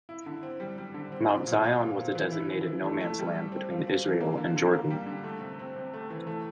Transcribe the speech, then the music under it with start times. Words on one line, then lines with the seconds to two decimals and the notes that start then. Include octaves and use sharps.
Mount Zion was a designated no-man's land between Israel and Jordan.
0.09 E4
0.26 D3
0.43 C4
0.60 G3
0.78 G3
0.94 D3
1.12 C4
1.28 C4
1.47 A#2
1.64 F4
1.81 F4
1.98 C4
2.15 E3
2.32 E4
2.49 E3
2.67 E3
2.84 A3
3.01 A3
3.19 G3
3.35 G3
3.52 C4
3.70 F4
3.87 C4
4.05 E3
4.21 A#3
4.38 D3
4.56 D3
4.73 A#3
4.90 G3
5.06 D3
5.24 A3
5.41 C3
5.59 C4
5.76 C3
5.94 A3
6.10 E3
6.27 A3